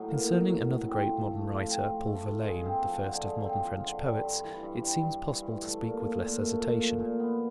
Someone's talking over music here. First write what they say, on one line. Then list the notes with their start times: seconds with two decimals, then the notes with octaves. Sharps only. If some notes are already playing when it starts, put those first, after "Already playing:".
Concerning another great modern writer--Paul Verlaine, the first of modern French poets--it seems possible to speak with less hesitation.
Already playing: A2 F#3 D#4
0.09 A#3
0.28 D#4
0.48 F#3
0.68 A2
0.88 C4
1.07 F3
1.27 A3
1.47 F3
1.67 C4
1.86 F3
2.06 A3
2.26 F3
2.46 G#3
2.65 C4
2.85 F3
3.06 D3
3.25 G#3
3.45 C4
3.65 F3
3.84 D3
4.04 G3
4.23 G2
4.43 E3
4.63 G2
4.83 G3
5.03 G2
5.22 E3
5.42 G2
5.61 A3
5.81 A#2
6.01 F3
6.21 A#2
6.41 A3
6.60 A#2
6.81 F3
7.00 A#2
7.19 B3